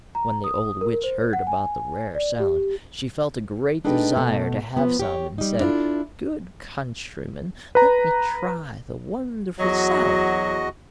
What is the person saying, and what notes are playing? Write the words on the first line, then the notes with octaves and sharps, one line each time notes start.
When the Old Witch heard about the rare salad, she felt a great desire to have some, and said: 'Good countryman, let me try the wonderful salad!'
A#5
D#6
A#4
C5
F#5
G#5
D5
G4
G#3 D4 D#4 A4 B4 G5
B2 A3
F3 B3
G4 C#5
G3 D#4
D4 E4 F4 A4
B4 A#5
E2 F#3 F#4 D#5